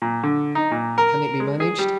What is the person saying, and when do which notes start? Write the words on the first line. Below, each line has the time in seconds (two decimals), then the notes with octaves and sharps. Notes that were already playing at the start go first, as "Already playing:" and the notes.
"Can it be managed?"
0.02 A#2
0.23 D3
0.55 D#4
0.71 A#2
0.98 A#4
1.40 G#3
1.60 G#4
1.79 G3